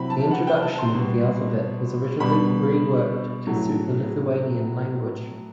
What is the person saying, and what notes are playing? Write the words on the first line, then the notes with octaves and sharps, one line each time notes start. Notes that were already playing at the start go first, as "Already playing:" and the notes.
The introduction to the alphabet was originally reworked to suit the Lithuanian language.
Already playing: C3 F#3 C4 E4 B5
A5
F#5
G5
A5
C6
B2 G3 B3
B2 G3 D4 B5
A2 F#3 A3 E4